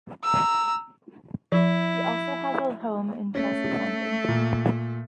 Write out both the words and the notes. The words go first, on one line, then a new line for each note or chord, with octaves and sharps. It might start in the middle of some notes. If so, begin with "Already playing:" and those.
He also has a home in Chelsea, London.
A#5 E6
F3 E4
A3 C#4
A#2